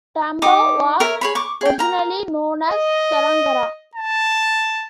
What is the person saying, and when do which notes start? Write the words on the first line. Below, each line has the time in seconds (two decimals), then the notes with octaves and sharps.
Tambo was originally known as Carrangarra.
0.42 D#4 G4 D6 D#6
1.00 A#4 C#5 E5
1.21 G#4 C#5 B5
1.35 C#6 D6
1.61 G#4 G5
1.79 A#4 A#5
2.67 D#5
3.95 A5